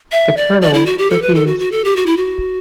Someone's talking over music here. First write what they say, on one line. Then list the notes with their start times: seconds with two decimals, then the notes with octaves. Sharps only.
The colonel refused.
0.12 E5
0.37 D5
0.62 D5
0.74 E4
0.86 F#4
0.98 G4
1.10 A4
1.22 B4
1.35 A4
1.47 F#4
1.60 F#4
1.72 A4
1.85 G4
1.96 F#4
2.06 E4
2.17 F#4